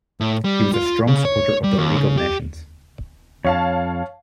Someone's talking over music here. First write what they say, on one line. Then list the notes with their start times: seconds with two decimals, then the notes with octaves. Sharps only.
He was a strong supporter of the League of Nations.
0.21 A2
0.44 G3
0.74 F4
1.07 C#3
1.25 C#5
1.64 G3
1.78 D#2
1.98 C#3
2.18 G4
3.45 F2 C#5 F5 A5